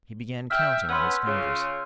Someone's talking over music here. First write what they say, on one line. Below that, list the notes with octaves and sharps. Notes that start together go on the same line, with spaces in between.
He began counting on his fingers.
E5 G5 F6 G6
B3 C#4 B4 C6 E6
C#3 F4